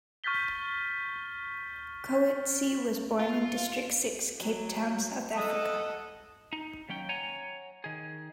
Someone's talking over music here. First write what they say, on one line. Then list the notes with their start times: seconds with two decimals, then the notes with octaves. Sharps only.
Coetzee was born in District Six, Cape Town, South Africa.
0.24 C#6 F6 G6 A6 B6 G7
3.19 F4
4.38 F#3
5.37 A4 D#5 F#5
6.53 D#4
6.89 D#2 F#3 C#4 G5
7.09 C#5 F#5 G#5 A#5
7.84 D#3 G#4